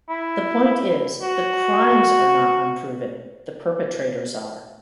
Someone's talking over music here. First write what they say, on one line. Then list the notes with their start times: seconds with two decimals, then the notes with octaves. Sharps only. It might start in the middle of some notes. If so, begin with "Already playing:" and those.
The point is, the crimes are not 'unproven'; the perpetrators are.
0.09 E4
1.22 F#4